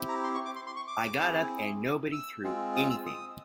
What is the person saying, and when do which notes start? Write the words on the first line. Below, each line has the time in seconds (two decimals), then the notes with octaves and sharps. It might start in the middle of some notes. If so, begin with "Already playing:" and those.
I got up and nobody threw anything.
Already playing: C4 E4 G4
0.09 A#5
0.24 C6
0.34 C#6
0.46 D6
0.56 C6
0.67 C6
0.76 C#6
0.87 D6
1.19 C4 E4 G#4
2.12 E6
2.43 G#3 C4 F4 G#4
2.76 D#6
2.91 E6
3.06 D#6